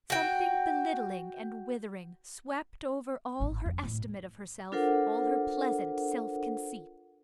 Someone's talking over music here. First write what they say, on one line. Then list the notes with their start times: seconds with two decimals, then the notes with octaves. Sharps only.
Something belittling and withering swept over all her estimate of herself, all her pleasant self-conceit.
0.10 F#4 G5
3.40 G#1 A2
3.66 F2
3.83 A2
4.72 D4 F4 A4 A#4 C5 F#5